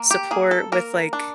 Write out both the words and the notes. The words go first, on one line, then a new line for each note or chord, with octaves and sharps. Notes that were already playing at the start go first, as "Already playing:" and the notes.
support with, like
Already playing: A#3
G4
A#3 G#4
A4
A#3 A#4
D4